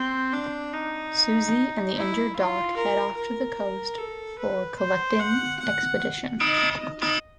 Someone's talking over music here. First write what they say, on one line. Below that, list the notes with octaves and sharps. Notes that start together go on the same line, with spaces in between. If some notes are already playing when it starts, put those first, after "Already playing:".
Suzy and the injured Doc head off to the coast for the collecting expedition.
Already playing: C4
D4
D#4
E4
F4
A#4
A#4
A4
B4
C5
F#5
F#5
D#5